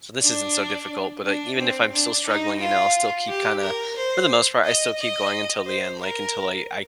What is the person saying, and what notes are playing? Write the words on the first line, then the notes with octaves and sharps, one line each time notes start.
well, this isn't so difficult," but I even if I'm still struggling, you know, I'll still keep kinda for the most part, I still keep going until the end, like, until I I
D4
D4
C4
D4
D#4
F4
G4
A#4
C5
D#5
D#5
C5
A#4